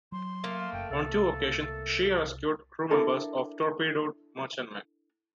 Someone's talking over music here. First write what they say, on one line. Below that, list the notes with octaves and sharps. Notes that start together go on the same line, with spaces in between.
On two occasions, she rescued crew members of torpedoed merchantmen.
F#3 C6
A3 A#3
F#1 G5
C2 A4
D4 E4 A4 A#4